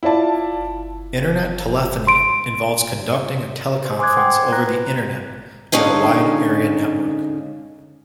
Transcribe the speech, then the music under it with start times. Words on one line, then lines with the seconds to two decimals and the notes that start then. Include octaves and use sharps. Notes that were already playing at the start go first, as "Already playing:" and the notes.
Internet telephony involves conducting a teleconference over the Internet or a Wide Area Network.
0.03 E4 F4 D5 A5
2.07 C6 D7
3.85 C5
3.99 G#5 C6 D6 D#6 F#6 G#6
4.17 C5 F#5 G5 C6
4.35 G#6
4.52 A#5 F#6 G#6 A#6
4.68 B4
5.72 D3 G#3 C#4 D#4 F5